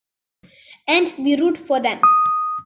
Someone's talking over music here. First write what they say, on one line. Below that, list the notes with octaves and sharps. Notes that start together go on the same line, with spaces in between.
And we root for them.
D#6